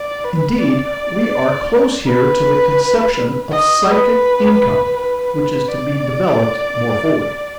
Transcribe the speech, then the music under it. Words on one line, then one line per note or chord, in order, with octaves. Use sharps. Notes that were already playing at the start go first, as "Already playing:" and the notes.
Indeed, we are close here to the conception of psychic income which is to be developed more fully.
Already playing: D5
B4
D5
B4
D#5
B4
B4
D5